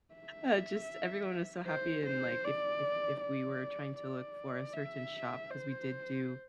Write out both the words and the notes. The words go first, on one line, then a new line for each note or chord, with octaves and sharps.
Uh, just everyone was so happy and, like, if if if we were trying to look for a certain shop 'cause we did do,
E5
C5
C5
D5
D5
D5
E5
C5